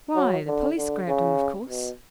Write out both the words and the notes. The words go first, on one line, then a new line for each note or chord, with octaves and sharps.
'Why, the p'leece grabbed him, of course.
F#3
D3
D3
C#3
B2